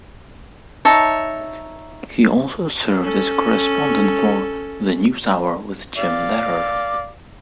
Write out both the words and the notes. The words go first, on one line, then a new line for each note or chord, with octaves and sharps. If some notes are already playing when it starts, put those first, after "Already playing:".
He also served as a correspondent for "The News Hour with Jim Lehrer".
D#4 C#5 E5 A5
C#4 A4
D5 F5